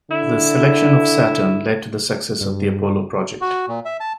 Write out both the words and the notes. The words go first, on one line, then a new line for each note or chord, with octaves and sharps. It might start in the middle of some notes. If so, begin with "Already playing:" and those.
The selection of Saturn led to the success of the Apollo project.
D3 E4
G2
F#4
A#2
E5
A5